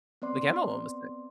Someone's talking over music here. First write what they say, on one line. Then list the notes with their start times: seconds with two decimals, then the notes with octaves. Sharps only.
The camo almost did.
0.22 B3 C4 D5 C6